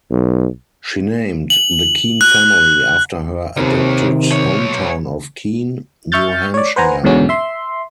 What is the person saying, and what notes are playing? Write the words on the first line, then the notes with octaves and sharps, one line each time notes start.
She named the Keene family after her adopted hometown of Keene, New Hampshire.
B1
F#7
F#6
D#2 C3 D#3
B1 C#5
E5 C#6 F6 G6 A6
C#5 D5
B4 C5 F#5 G#5 A#5
E2 G#2 B2 D3 F#3 C#4
E5 C6